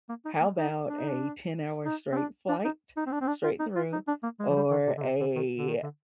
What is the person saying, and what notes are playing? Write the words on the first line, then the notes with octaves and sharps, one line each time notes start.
how 'bout a ten-hour-straight flight, straight through, or a
A#3
D#4
A#3
D#4
D4
D#4
D4
D#4
C4
D4
D4
D#4
D#4
C4
D4
C4
D4
F4
D#4
F4
D#4
D4
A#3
G#3
F3
G3
D#3
C3
D3
C3
D3
D#3
D3
D#3
D3